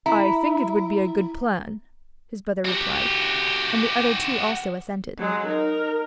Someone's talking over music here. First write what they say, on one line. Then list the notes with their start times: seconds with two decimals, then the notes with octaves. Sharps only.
"I think it would be a good plan," his brother replied; and the other two also assented.
0.06 E4 A#5
2.65 F#4 G4
5.18 F#3 G#3
5.46 D#4 A#4